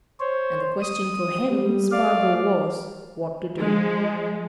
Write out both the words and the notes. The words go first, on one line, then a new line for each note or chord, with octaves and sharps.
And the question for him, Spargo, was--what to do?
C5 C#5
D#6
G3
A3 D5 F5
F3 G#3